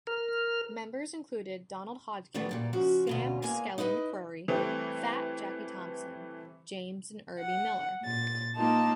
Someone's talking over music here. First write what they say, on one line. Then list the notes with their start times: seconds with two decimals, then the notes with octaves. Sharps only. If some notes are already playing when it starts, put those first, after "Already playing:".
Members included Donald Hodgen, Sam "Skelly" McCrory, "Fat" Jackie Thompson, James and Herbie Millar.
0.07 A#4 F6
2.34 D#3 E3 G3 A3 B3 D4
2.49 E2 A#2 G3
2.73 C#3 F3 F#4
3.07 D2 B2 F4
3.42 A#2 E3 G#3 A#3 G#5
3.78 D#4 E4 B4 C#5 D#5
4.48 E3 G3 A3 C4
7.39 F#5
8.01 A#2 A6
8.56 A#3 D#4 F4 A5